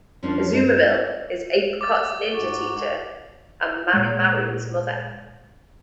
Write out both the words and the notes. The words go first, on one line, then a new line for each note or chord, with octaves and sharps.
Azumarill is Apricot's ninja teacher and Marimaru's mother.
F2 F3 A#3 C#4 D4
G2 G#3 D#4
D6 A6
G#2 F#4
A#2 G#3